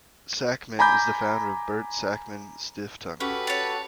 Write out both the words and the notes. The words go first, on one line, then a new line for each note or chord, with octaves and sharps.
Sakmann is the founder of the Bert-Sakmann-Stiftung.
G#5 A#5 B5 D6 G6
C#4 F#4 G4 A4 B4
C#5 A5